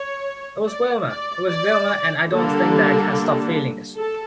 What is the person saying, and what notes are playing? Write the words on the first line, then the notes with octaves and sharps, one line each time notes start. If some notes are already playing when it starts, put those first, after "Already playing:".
It was Vilma. It was Vilma and I don’t think that I can’t stop feeling this.
Already playing: C#5
D5
D5
D5
D3 G3 A#3 D4 A4
A4